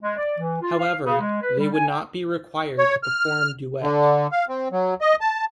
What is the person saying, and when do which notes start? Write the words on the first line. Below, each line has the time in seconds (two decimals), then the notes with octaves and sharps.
However, they would not be required to perform duet.
0.01 G#3
0.16 D5
0.38 E3
0.61 F4
0.78 F5
1.04 C#3
1.19 G#3
1.40 B4
1.57 G3
1.73 G#5
1.87 G5
2.79 C#5
3.03 F6
3.81 D3
4.32 F5
4.49 C4
4.72 F#3
5.01 D#5
5.21 A5